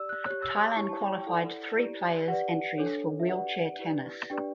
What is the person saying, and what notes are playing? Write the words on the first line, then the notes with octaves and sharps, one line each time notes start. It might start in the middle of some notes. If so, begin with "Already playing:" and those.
Thailand qualified three players entries for wheelchair tennis.
Already playing: G4 D5 E6
F#6
G4 C#5 F#6
E6
D6
E4 G4 C#5 C#6
A5
G5
G5
E4 A4 D5 F#5
E4 G4 D5
G4 B4 D5 F#5
D4 A4 C#5
E5
G4 B4 D5 F#5
E4 G4 B4 D5
D4 G4 B4 D5 G5